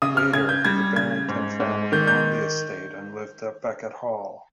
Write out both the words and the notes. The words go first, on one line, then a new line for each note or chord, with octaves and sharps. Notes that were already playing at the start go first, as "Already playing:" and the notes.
Later the Barrington family owned the estate and lived at Beckett Hall.
C#3 D#6
F6
C#3 G#6
G6
G3 G#6
C#3 G#6
G#2
G#2
D#3 G6
G6